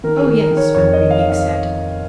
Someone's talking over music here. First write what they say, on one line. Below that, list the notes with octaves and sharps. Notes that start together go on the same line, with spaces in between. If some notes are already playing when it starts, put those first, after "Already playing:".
"Oh, yes," van Riebeek said.
D#3 A#4
G#4
D#3
A#4
D#3
C#5
F2 C#5
D#5
D#3
F5
D#3
F5